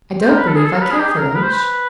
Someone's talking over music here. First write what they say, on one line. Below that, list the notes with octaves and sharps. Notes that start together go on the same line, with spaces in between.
"I don't believe I care for lunch."
C5
A#4
B4
A4
G#4
A4
A#4
B4
G#4
G4
G#4
A#4
A#4
B4
C5
B4